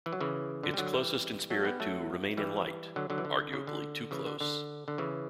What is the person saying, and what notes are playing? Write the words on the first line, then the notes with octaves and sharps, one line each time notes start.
It's closest in spirit to Remain in Light - arguably too close.
E3
F#3
C#3 E3
D3
G3
D3 F#3
E3 G3
F#3 A3
G3 B3
F#3 A3
E3 G3
D3 F#3
D3 F#3
E3
D3
C#3
D3
C#3 E3
D3
D3
D3
C#3 E3